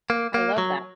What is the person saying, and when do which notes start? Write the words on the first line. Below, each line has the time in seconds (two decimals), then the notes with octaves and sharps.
I love that.
0.10 A#3
0.34 A#3
0.58 F#3